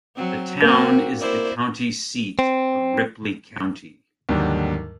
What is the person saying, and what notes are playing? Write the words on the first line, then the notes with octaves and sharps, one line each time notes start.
The town is the county seat of Ripley County.
F#3 C4
A#3 C4 F#4
E4 C5 D5
C4
D#2 G#2 D3 F#3 G3